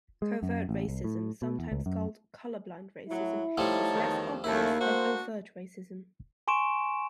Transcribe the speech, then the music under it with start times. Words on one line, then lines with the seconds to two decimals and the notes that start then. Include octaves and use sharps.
Covert racism, sometimes called "color blind" racism, is less obvious than overt racism.
0.22 G#3
0.43 F#2
0.69 A1
0.88 C2
1.04 A2
1.42 B2
1.59 E2
1.72 C#2
1.86 F#2
3.09 A2 F#3 E4
3.58 F3 G3 A3 D#4 C#5 A5
3.93 E2 D#3
4.44 D#2 C#3 A3 A#3 E4
4.80 D4 F#4 C5
6.48 G#5 C6 C#6 D7 E7